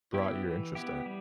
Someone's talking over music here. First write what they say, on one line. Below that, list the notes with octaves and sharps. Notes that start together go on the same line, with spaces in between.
brought your interest in it?
B3 E4 G4
E3
B3 E4 G4
G3